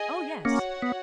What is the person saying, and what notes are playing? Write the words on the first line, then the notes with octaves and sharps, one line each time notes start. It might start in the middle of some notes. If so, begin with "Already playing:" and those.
Oh, yes.
Already playing: G#4 D#5 G#5
A#3 C#4 F#4 C#5 F#5
B3